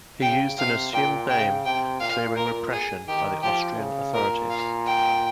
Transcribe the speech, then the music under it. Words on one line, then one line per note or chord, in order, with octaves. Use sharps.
He used an assumed name fearing repression by the Austrian authorities.
C#3 G5
C3 F5
A#2 G5
C#3 G5
C3 G5
A#2 F5
A#2 A#4
G#4
D#3 G4
F3 G4
C#3
A#2 A#4
F5
G5